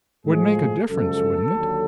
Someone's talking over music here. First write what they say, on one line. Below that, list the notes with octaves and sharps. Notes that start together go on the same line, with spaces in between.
Would make a difference, wouldn't it?
A2 F3 G#3 G#4
F#2 C#3 F3 G#3 A4
D#2 D3 F#3